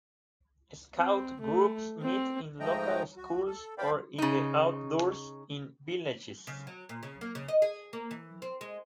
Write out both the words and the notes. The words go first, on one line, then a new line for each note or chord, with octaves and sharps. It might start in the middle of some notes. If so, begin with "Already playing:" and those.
Scout groups meet in local schools or in the outdoors in villages.
C4
A3
C4
G#2 F3 A3 D#5 G5 A#5
F#4
A4
C5 D5 F5 G5 B5
C#3 D#4
C#3
F#3
A#2
C#3
A#3
C#3
D#5
G#4
A#3
E3
C4
G#3